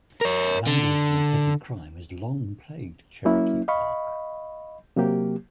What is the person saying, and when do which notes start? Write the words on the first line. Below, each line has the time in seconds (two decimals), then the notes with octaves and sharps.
Vandalism and petty crime has long plagued Cherokee Park.
0.21 A#4 C#5
0.67 D3
3.25 F#3 A#3 C#4 E4
3.68 D#5 F5 B5 C#6
4.96 C3 F#3 A#3 G4